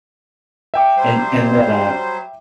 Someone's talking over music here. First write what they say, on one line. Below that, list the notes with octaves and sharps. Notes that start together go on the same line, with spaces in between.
and and then, uh,
E5 G5 D6
F#3 G3 C5